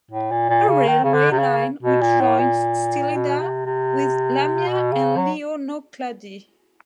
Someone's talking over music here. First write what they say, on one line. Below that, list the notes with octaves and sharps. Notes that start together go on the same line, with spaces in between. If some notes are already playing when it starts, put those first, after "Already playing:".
A railway line which joins Stylida with Lamia and Lianokladi.
A2
A#2
A#2
C#3
D#3
C#3
D3
C3
C#3
B2
A#2
A2
A#2
B2
C3
C3
B2
C#3
F#3